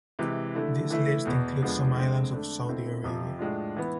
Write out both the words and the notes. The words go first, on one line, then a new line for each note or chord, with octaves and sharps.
This list includes some islands of Saudi Arabia.
C3 E3 G#3
D3 A3 E4
E3 A3 E4
E2 B2 B3
E2 D3 F3 G#3 B3
D3 G#3 C4
D3 A3 D4
B2 A3 C4 E4
F2 C3 F3
A2 G#3 D4 F4
E3 B3